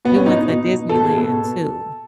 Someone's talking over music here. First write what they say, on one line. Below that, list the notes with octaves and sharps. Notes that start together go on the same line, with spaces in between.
we went to Disneyland too
B2 B3
C#4
B2 D#4
D#4
B2
B2
B2 A4
G#4
B2
A4
B2